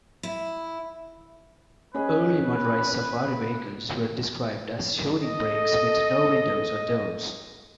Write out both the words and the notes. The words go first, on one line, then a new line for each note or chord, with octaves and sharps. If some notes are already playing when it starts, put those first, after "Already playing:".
Early motorized safari vehicles were described as shooting-brakes with no windows or doors.
E4
C#4 G#4 B4 D#5
A4 D#5